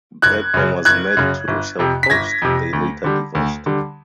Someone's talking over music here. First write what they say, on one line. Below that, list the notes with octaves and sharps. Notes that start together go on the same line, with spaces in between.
Brackman was married to Rochelle Post; they later divorced.
F#1 F#6 G#6
F#2 C#3
F#1 F#6 G#6
F#2 C#3
G1
F2 C3
B6
G1 G#6 A#6
F2 C3
D2
D3 G3
D2
D3 G3